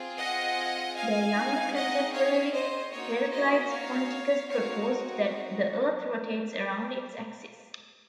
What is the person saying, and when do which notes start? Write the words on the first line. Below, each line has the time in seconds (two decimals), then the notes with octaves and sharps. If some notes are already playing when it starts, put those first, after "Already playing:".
Their younger contemporary Heraclides Ponticus proposed that the Earth rotates around its axis.
Already playing: C4 F4 G#4
0.17 D#5 F#5
0.95 F5 G#5
1.35 C4 D#4 G#4
1.74 D#5 F#5
2.13 C#5 F5
2.52 C5 D#5
2.91 A#3 D#4 F#4 C#5
3.31 C5 D#5
3.70 C#5 F5
4.48 C4 D#4 F#4 C#5 F5